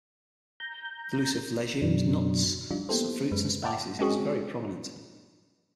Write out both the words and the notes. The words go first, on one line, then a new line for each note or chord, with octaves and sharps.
The use of legumes, nuts, fruits and spices is very prominent.
A#5 G6
F#2 B2 F#3 D4
F3 G3 D4 D#4 F4
A#3 B3 E4 G4 A4 C5
F#2 G#3 B4
E5 F#5 G5 A5 D6
G#3 C4 C#4 F#4 G#4